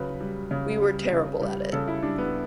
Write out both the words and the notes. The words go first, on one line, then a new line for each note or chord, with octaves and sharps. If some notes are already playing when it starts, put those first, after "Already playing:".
We were terrible at it.
Already playing: C#3 F#3 B4
G3
C#3
G3
C#3
G3
C#3 A4
E4
G3 D4
B3